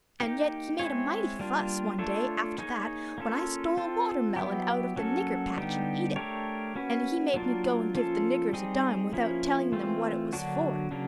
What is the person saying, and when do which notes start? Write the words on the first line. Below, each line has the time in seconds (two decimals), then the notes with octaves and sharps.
And yet he made a mighty fuss, one day, after that, when I stole a watermelon out of the nigger-patch and eat it; and he made me go and give the niggers a dime without telling them what it was for.
0.20 A#3 D#4 G4
0.79 G#3 C4 E4 G#4 C#5
1.39 G3 A#3 D4 F4
1.99 A3 D4 F4 A4 C#5
2.58 A#3 D#4 G#4 C#5
3.18 A#3 C#4 F4 A4
3.77 C4 F4 A4
4.36 F#3 B3 E4 G4
4.96 F#3 A#3 C#4 F#4 A4
5.57 D3 G3 B3 D#4 G4
6.16 A3 D4 G4 A#4 C#5
6.75 A#3 C#4 F#4 B4
7.34 F#3 A#3 D4 F4 A#4
7.95 F3 A#3 C#4 F4 A4
8.53 G3 C4 D#4 G#4
9.13 F3 A#3 C#4 E4
9.72 E3 A3 C4 F4
10.33 D3 F#3 A#3 D4 F#4
10.91 C#3 F#3 A#3 D4